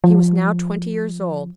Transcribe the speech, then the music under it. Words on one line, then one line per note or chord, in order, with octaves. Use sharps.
He was now twenty years old.
F3